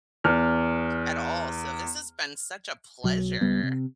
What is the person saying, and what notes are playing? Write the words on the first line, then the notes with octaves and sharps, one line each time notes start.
at all, so this has been such a pleasure.
E2 F6
B1 F#3
C#2 G3 B3
C3